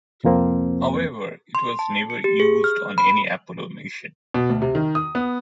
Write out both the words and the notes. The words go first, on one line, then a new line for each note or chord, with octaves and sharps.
However, it was never used on any Apollo mission.
C2 F2 F3 A#3 C4
C6
A5
C#7
G4
G#4
F6
B5
B2
D2
C3
D#3
D#6
B3